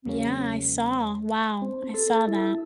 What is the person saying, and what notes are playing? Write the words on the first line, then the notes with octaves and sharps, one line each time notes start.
Yeah, I saw. Wow, I saw that.
E2 C#3 F#3 G#3 A#3 C#4
C4
A4
E4